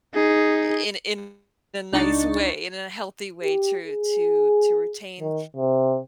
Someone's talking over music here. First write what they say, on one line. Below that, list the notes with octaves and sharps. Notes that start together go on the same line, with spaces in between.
in in a nice way, in a healthy way to to to retain,
D#4 G#4
C#2 D4 D#4 C#6 A6
G4
G#4
D#3
C3